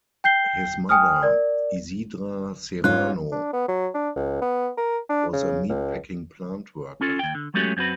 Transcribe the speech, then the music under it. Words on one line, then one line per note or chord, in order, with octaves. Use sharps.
His mother Isidra Serrano was a meatpacking plant worker.
G5 G6 C7 G7
G5 G#5 D#6 F6
A#4 D5
G#2 C#4 F4 F#6
D4
B3
F#3
D4
C#2
B3
A#4
D4
C#3
C#2
C#4 F4 A4
D#2 G5
D3
F#3 G#3 A3 C#4 F#4 G4
F#2 C4 F#4 B4